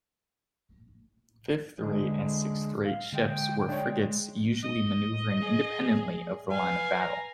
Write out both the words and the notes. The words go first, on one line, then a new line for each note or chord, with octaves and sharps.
Fifth-rate and sixth-rate ships were frigates usually maneuvering independently of the line of battle.
D3 G#3
F5
D3 G#3 G5
G#3 D4 C#5
D#5
G#4
B4 F5 G#5
A#5